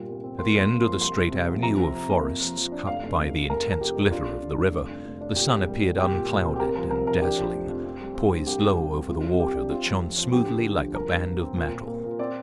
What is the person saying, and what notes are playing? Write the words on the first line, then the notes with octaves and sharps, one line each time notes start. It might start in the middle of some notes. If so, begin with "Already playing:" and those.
At the end of the straight avenue of forests cut by the intense glitter of the river, the sun appeared unclouded and dazzling, poised low over the water that shone smoothly like a band of metal.
Already playing: G1 A#2 G3
C2
C4
A#3 C6
F2
C6
A#3
F3 C6
C2 C6
C3
C3
F3
F2 A#5
C3
F2
A#3
F2
F3
F3
D4
F1 F5
F1
F1
F1
F1 A#4
F1
A#4
F2 G4
F1
D4 F4
D4
D3
G2
F1
D4
F1
D4
A#2 G4
C2
G3
C2
C2 G4
A#2
A#2
C4
G4
C2 A#4
F3 A#4
C3 A#4
F3 A#4
D4 G4
F3
F1
F2
C4
G3
C4
G2
C2 G4
G3
G3
C2
C3 F4
C3
C2 G4
D4
C4 F4
F3
F2
F3
D2 G4
D3
D2
F3
G2 A#4
G2
G2
C4
A#2
A#2
A#3
A#2
C4 D5